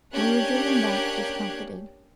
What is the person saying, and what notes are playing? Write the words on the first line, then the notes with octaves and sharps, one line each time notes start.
We were driven back discomforted.
A#3 C#4 D4 G4 F#6 G#6